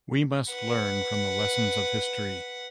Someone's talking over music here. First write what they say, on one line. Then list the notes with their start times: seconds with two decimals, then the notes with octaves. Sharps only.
We must learn from the lessons of History.
0.50 B4 F#5